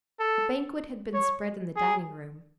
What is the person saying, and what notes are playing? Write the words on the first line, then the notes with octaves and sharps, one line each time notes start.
A banquet had been spread in the dining-room.
A4
C#5
G#4